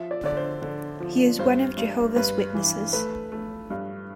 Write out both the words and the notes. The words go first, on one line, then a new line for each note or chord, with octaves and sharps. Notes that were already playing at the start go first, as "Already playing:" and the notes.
He is one of Jehovah's Witnesses.
Already playing: F3 E5
D5
D3 D5
C5
D3
F3
G2 C5
G2
G2 B4
E3
A3 B4
A3
G2